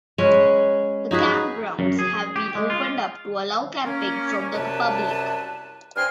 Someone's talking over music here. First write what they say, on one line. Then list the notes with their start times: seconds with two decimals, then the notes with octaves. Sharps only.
The campgrounds have been opened up to allow camping from the public.
0.18 G#3 C#4 B4
1.11 D#4 F#4 G#4 B4
1.79 F#2
1.99 G#4
2.36 G4
2.55 G#3
2.70 F4
3.85 A#3 C#4
4.53 C2 F#2 C3 B4 A5
5.96 G2 C4 G#5 C6 F6